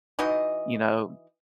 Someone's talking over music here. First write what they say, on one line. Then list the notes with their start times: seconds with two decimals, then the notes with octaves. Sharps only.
you know,
0.19 E3 D#4 F#4 D#5